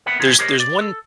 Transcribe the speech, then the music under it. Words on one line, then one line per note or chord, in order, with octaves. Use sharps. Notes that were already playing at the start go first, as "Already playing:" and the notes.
there's there's one
A#4 B4 E5 F#5 G5 B5
E2 C#3 B3 F4 G#4 A#5
G4 G#4 A#4 C5 C#5 D#5
D5
A4